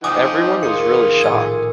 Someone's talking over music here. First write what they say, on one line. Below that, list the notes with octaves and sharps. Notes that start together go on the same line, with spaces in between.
Everyone was really shocked.
F3 D#4 G5 G#5 D6 D#6
D#2 F4 G#4 C#7
F#6 G#6 D7
A#1 A2 F#5 E6 G#6